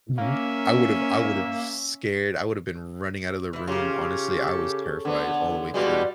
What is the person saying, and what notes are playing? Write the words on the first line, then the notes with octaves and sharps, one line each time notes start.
Mhm, I would've I would've scared I would've been running out of the room. Honestly, I was terrified all the way through.
A#3 C#4 E5
E3 F3 E4
C#3 F4 G4 A#4
A4
D3 B3
B2 G3 G#3 F4 F#4 B4 D5